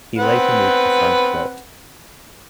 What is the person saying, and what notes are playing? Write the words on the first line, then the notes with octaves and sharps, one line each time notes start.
He later moved to Frankfurt.
C4 B4 F#5